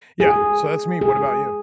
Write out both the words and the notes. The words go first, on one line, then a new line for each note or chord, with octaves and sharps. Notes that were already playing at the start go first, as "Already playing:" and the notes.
yeah. So, that's me, what about you?
G#4
G#4